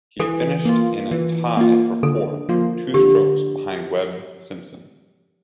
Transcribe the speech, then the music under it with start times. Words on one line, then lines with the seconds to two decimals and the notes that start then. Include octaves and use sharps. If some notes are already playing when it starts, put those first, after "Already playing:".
He finished in a tie for fourth, two strokes behind Webb Simpson.
0.19 E3 A4
0.65 A#3 F4
1.11 E3
1.57 A#3 F4
2.03 D3 A4
2.49 F3 A#3 F4
2.94 D3 G4